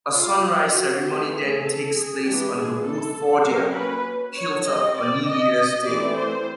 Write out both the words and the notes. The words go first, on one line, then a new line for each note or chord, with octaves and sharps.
A Sunrise Ceremony then takes place on the Woodfordia hilltop on New Year's Day.
F4
F#4
E3 A3 C4 G4
G#4
A4
G#4
E3 G#3 B3 D4 G4
G#4
A4
F#3 A#3 C#4 A#4
B4
C#5
G3 C4 D#5
D5
D#5
D#5
E3 A3 C4 D5
C5